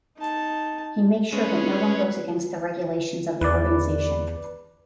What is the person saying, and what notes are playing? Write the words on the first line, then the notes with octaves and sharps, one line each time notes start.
He makes sure that no one goes against the regulations of the organisation.
D#4 A5
G#3 C#4 B4
E2 B4 D5